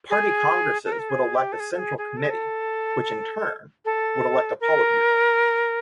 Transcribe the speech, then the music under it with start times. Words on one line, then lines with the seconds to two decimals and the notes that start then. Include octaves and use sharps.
Party Congresses would elect a Central Committee which, in turn, would elect a Politburo.
0.10 G#4
0.85 A4
0.92 A#4
0.99 A4
1.10 G#4
1.35 G4
1.52 A4
1.60 G#4
1.73 A4
1.79 G#4
1.98 G#4
2.17 A4
2.24 G#4
2.30 A4
3.85 A4
4.60 A#4